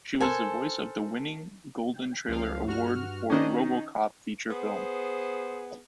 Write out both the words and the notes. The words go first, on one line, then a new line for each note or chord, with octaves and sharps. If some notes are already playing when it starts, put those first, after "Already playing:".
She was the voice of the winning Golden Trailer award for RoboCop feature film.
A4 A#4 C5 G#5 A5
C#2 F3 F5
G2 F#4 F6
D#3 C#4 D4 C5 D#5
D#4
B3 G#4 C5